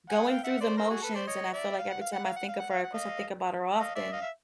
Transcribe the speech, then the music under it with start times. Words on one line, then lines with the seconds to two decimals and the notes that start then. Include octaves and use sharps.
going through the motions, and I feel like every time I think of her of course, I think about her often.
0.10 F#5 G#5
0.27 F5 G5
0.44 E5 F#5
0.61 C5 D5
0.77 A#4 C5
0.90 F#4 G#4
1.02 A4 B4
1.15 C5 D5
1.27 C#5 D#5
1.53 D5 E5
1.79 F5
1.90 F#5
2.01 F5
2.12 F#5
2.25 F5
2.36 F#5
2.48 F5
2.59 F#5
2.70 F5
2.83 F#5
2.93 D#5 F5
3.79 D#5 F5
3.95 D5 E5
4.12 D#5 F5
4.22 E5